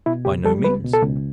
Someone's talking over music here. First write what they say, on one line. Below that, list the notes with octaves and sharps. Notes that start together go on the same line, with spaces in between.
"By no means."
B2 E4
C#2 G4
G3 A4
C#2 B4
B2
A4
C#2